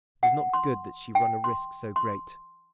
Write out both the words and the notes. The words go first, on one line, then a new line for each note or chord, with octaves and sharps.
It is not good that she run a risk so great.
F#5
C6
G5
C6
C6